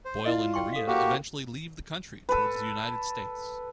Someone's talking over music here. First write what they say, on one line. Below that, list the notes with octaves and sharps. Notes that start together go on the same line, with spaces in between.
Boyle and Maria eventually leave the country towards the United States.
C5
E4 F4 D5 D#5
G5 C6 C#6
A4 F5
A#3 F#4 G4 A#4
A4 B4